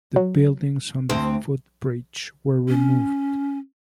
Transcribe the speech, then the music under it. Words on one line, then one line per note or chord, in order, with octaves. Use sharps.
The buildings on the footbridge were removed.
F#3
D2 C4
C#4